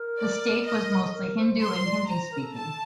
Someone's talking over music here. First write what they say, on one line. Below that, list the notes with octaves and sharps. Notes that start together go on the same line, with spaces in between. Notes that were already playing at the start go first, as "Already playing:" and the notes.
The state was mostly Hindu and Hindi-speaking.
Already playing: A#4
D5
D#5
A4
A#4
C5
C5 C6
A#4
C5
D5
C5 A#5
A#4
A4
A4 A5